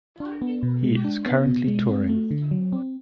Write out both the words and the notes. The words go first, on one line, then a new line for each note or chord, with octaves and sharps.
He is currently touring.
D4
B3
B2
G#3
D4
B3
B2
G#3
C4
A3
D3
F#3
C4